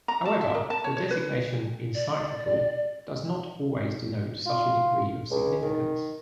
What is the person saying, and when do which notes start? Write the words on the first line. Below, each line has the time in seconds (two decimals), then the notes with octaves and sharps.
However, the designation "encyclical" does not always denote such a degree of significance.
0.08 A#5
0.25 A5
0.41 E5
0.54 A#4
0.70 A5
0.84 C#5
0.97 C#5
1.11 B4
1.95 D5
4.46 F4
5.31 C#2
5.62 D#3